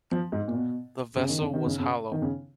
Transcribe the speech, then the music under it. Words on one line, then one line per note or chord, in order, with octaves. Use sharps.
The vessel was hollow.
F3
G#2
A#2
B2
C#3
D#3
C#3
D#3
C#3
C#3
D#3
C#3